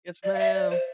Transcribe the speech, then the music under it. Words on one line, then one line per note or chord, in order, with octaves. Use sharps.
Yes, ma'am.
D5
F5
E5
D5
C5